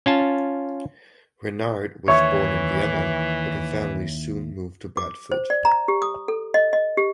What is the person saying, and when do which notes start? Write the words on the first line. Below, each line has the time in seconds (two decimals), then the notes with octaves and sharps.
Reynard was born in Vienna but her family soon moved to Bradford.
0.06 C#4 F4 A5
2.08 D#2 E3 C#5 E5 C#6 G#6
4.97 D6
5.32 C5
5.50 D5
5.65 A#5
5.88 G4
6.02 D#6
6.28 A4
6.54 D#5
6.73 D#5
6.97 G4